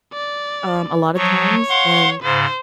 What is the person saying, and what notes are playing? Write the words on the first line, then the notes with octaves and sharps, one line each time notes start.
um, a lotta times. And
D5
F3 F#3 C#5
F5 F#5 C6
G#2 C#3 C5